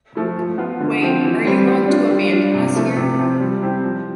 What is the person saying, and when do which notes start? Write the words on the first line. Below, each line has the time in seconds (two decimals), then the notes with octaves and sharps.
Wait, are you going to abandon us here?
0.15 F3 A3 E4
0.37 F3
0.58 B3 F4
0.80 D3
1.02 F3 C4 F4
1.24 E3
1.45 G3 C4
1.67 G3
1.88 D4 F4
2.10 G3
2.31 D4 F4
2.54 C3
2.75 F3 A3 E4
2.96 C3
3.19 F3 C4
3.40 G3
3.62 C4 E4 G4
3.83 F3